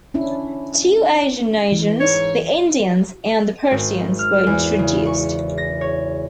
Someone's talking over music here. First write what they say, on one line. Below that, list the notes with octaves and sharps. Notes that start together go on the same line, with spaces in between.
Two Asian nations, the Indians and the Persians, were introduced.
C#4 D4 E4
E3
G#2 C#5
G#1
F6
E2
C#3
C#6
A#6
C#5